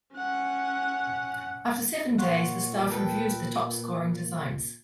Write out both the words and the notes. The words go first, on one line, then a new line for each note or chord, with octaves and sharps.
After seven days the staff reviews the top-scoring designs.
C#4 F#5
A#2 F4 C#5 F#5
A4 B4 G5